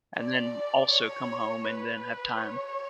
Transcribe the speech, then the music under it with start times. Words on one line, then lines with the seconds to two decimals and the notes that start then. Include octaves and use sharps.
and then also come home, and then have time.
0.18 D5
0.91 C#5
1.64 B4
2.37 C#5